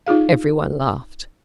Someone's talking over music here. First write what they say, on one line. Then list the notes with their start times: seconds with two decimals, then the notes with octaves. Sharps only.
Everyone laughed.
0.07 D#4 F4 G#4 F5